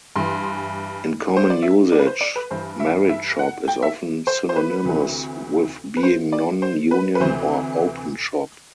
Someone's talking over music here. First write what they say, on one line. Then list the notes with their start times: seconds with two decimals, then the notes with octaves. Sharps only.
In common usage, "merit shop" is often synonymous with being non-union or open shop.
0.16 G2 E3 C6
1.37 C5
1.50 D5
1.62 E5
1.92 D5
1.99 B4
2.07 C5
2.21 D5
2.36 B4
2.51 G2 E3 C5
2.80 E5
3.09 E5
3.39 F#5
3.68 G5
3.82 E5
4.27 C5
4.49 C5
4.56 B4
4.85 D2 C3 E3
5.97 B4
6.03 C5
6.32 D5
6.62 C5
6.91 B4
7.15 B4
7.20 D2 C3 E3 C5